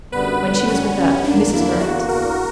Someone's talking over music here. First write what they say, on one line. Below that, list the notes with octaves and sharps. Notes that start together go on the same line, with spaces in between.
"When she was with a Mrs. Murrett?"
F#2 D3 G3 B3 B4
F#2 D3 G3 B3
F#2 D3 G3 B3 C#4
F#2 D3 G3 B3
E2 D3 A#3 D4
E2 D3 A#3 E4
E2 D3 A#3 F#4
E2 D3 A#3 A#4